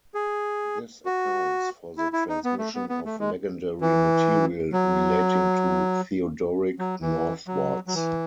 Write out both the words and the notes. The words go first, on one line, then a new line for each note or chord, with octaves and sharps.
This accounts for the transmission of legendary material relating to Theodoric northwards.
G#4
F#4
E4
E4
D#4
B3
A3
B3
B3
A3
G#3
E3
F#3
F#3
E3
F#3
F#3
E3